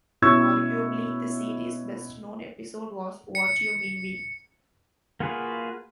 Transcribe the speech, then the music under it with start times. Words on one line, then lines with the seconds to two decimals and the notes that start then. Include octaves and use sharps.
Arguably the series' best-known episode was What You Mean We?
0.22 B2 C#4 E4 C#6 E6 G#6
3.35 C#7
5.20 A#3 F4 F#4 G#4 B4